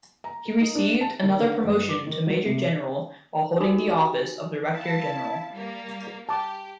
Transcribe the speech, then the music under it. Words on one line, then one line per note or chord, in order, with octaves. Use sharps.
He received another promotion to major general while holding the office of director general.
A#5
D#4
D4
A5
D#3
D3
G1
D6
D#3
F#3
C3
D#4 F#4 G4 G#5
E4 F5 A5
G3 A#3
G4 G5 A5 D6